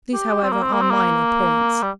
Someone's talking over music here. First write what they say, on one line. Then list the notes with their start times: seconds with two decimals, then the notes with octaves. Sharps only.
These, however, are minor points.
0.13 G4
0.43 C4
0.53 A#3
0.63 C4
0.73 A#3
0.82 C4
0.91 A#3
1.82 G3